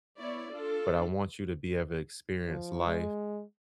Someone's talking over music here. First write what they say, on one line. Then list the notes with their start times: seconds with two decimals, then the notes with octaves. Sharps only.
but I want you to be able to experience life
0.19 B3 E4 C#5 D5
0.51 D4 F4 A4
2.44 F3
2.86 G#3